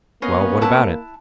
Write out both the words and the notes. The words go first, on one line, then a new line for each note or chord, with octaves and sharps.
"Well--what about it?"
A#3 B3 C#4 D#5 F5
E4 A5 F#6